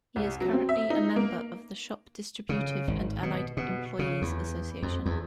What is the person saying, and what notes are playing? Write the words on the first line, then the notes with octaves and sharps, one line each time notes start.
He is currently a member of the Shop Distributive and Allied Employees Association.
C2
F#3
C4
E5
D#4
A#3
C#3
G#1
B2
B2
C#3
E2
F2
E2